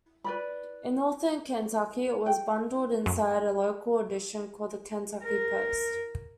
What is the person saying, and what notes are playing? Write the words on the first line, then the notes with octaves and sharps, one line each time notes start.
In Northern Kentucky, it was bundled inside a local edition called The Kentucky Post.
B4 D5 B5
G5
F#2
A#4